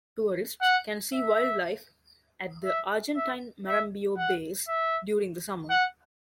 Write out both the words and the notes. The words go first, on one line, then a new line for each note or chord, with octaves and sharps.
Tourists can see wildlife at the Argentine Marambio Base during the summer.
F#5
E5
E5
E5
E5
F#5
E5
F#5